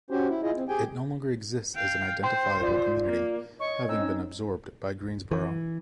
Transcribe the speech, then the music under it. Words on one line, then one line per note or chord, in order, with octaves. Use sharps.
It no longer exists as an identifiable community, having been absorbed by Greensboro.
C#4 F#4 G4 C5
E4
E4 F4 G#4 D#5
C4
G4 G#4 G5 G#5
F5 G5
C5 G5 C6
F4 D5
A#3
C#5 D#5 C#6
C4 C#4 D#4 E6
E3